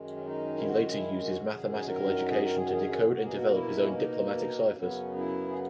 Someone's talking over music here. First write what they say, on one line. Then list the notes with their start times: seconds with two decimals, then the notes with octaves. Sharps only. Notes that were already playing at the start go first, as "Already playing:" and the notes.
He later used his mathematical education to decode and develop his own diplomatic ciphers.
Already playing: F#2 D#3 G#3
0.17 C#4
0.25 D#4
0.57 E4
0.66 F#4
0.93 E4
1.21 F#4
1.48 F#2 D#3 F#3 G#4
1.89 A#4
2.30 G#4
2.43 A#4
2.56 G#4
2.66 F#4
2.71 G#4
3.12 B2 A#3 F#4
3.24 G#4
3.36 F#4
3.53 E4
3.83 C#4
3.95 D#4
4.35 D#4
4.76 F#2 C#3 F#3 B3 C#4
5.17 E4
5.48 G#4